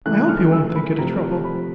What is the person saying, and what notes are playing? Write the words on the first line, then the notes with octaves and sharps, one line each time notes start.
I hope you won't think it a trouble?
C#3 E3 A3 F#6
F6
E6
B5
C3 F3 A3 A#5
B5